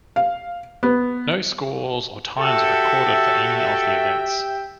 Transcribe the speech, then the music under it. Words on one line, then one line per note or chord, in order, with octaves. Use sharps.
No scores or times are recorded for any of the events.
F5
B3
F#4 G4 A4 E5 G5